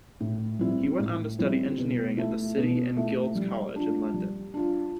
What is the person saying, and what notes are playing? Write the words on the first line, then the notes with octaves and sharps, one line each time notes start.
He went on to study engineering at The City and Guilds College in London.
A2
G3 C4 E4
A2
G3 C4 E4
B2
A3 E4
B2
A3 E4
G3
D4 F4
G3
D4 F4